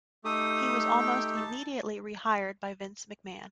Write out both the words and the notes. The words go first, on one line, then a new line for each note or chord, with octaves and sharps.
He was almost immediately re-hired by Vince McMahon.
A3 D#4 G4 D#6
G5
A5